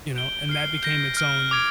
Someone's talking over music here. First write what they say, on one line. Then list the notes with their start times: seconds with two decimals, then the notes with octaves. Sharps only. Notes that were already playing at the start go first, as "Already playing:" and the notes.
you know, and that became its own
0.16 G6 D7 G7
0.49 F6 C7 G7
0.83 G6 A#6 D7
1.17 F6 A#6 D7 G7
1.51 D6 G#6 D7